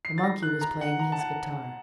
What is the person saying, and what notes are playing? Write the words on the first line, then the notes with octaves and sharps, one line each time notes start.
The monkey was playing his guitar.
C7
A6
A#6
F#6
A#5
F#5
A#5
A5
F#5